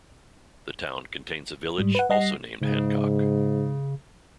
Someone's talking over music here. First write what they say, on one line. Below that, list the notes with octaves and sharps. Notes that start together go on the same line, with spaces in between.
The town contains a village, also named Hancock.
G#2 G3
B4 F#5
G3 D#5 F#5 A#6 C7
G#2 C#3